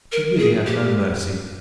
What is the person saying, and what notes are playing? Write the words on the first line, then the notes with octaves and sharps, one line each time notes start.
But you really have no mercy.
A#4
G#4
G4